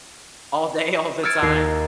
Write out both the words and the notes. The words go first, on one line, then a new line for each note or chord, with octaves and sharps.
all day, all the time?
E6 F6 G#6 A6 C#7 D7
D#2 D#4 C7